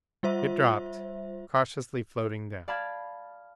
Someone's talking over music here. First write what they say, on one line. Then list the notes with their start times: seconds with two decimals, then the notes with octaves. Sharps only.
It dropped, cautiously floating down.
0.23 G3 F4 C5 E5
2.68 D5 F5 A5 B5 G#6